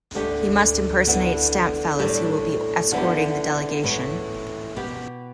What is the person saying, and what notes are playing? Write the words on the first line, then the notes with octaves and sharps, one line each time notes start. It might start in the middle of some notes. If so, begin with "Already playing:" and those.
He must impersonate Stampfel, as he will be escorting the delegation.
D3 A3 G4
D3 B3 E4 A4
A2 G3 D4 A4
D3 B3 E4 G4
A2 E3 B3 E4
B2 B3 G4